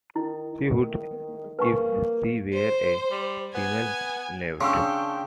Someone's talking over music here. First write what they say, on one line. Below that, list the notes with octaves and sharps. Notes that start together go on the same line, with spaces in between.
She would, if she were a female newt.
D#3 E4
D#3
A#3 B4 G#5 C#6
C5
G3
B3 G#5
C#3 D4 G5 C6 C#6 E6